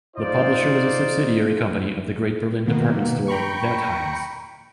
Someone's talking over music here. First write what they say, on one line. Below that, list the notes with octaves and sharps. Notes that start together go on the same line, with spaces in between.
The publisher was a subsidiary company of the great Berlin department store, Wertheim's.
D#4 F4 C5 D5
B2 D#3 A#3 B3
G5 A#5 B5 C#6 C#7